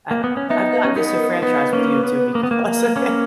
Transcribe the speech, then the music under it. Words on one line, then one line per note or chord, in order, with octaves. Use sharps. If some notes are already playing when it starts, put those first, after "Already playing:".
I don't know, I've gotten disenfranchised with YouTube because of it.
A#3
B3
C#4
B3 D#4 E5
B4
C#4
B3 D#4 A#4
B4
A#4
B3 D#4 B4
A#3 C#4
B3
A#3
B3
A#3
A#3
A#3 C#4